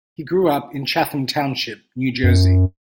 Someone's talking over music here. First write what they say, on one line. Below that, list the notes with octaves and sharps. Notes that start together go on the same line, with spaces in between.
He grew up in Chatham Township, New Jersey.
F#2